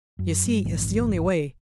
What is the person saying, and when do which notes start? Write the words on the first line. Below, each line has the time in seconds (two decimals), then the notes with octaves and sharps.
You see it's the only way.
0.19 F#2
0.46 G2
0.65 F1 A#1 G#2 E3